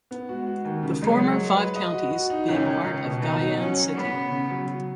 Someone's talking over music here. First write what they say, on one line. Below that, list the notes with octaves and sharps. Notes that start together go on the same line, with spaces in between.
The former five counties being part of Guyuan city.
B3
G#3 F#4
F#4
D#2
C#3
F#3 G#3
G#3
G#3
B4
D#5
F#4
F#4
D#4
C#2 C#4
C#2
C#2
B2
D#2 D#4
F#3
F#3 C#4
F#3
B3 C#4
C#3
C#3
F#3
F#3